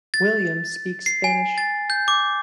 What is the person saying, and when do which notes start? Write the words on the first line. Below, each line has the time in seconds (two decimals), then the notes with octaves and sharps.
Williams speaks Spanish.
0.14 A6
1.06 C7
1.24 G#5
1.58 A6
1.90 G6
2.08 D6